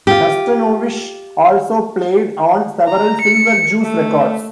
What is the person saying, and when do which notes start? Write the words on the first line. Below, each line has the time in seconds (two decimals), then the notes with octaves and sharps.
Nastanovich also played on several Silver Jews records.
0.07 F4 G4
2.87 A#5
3.21 C#7
3.81 A3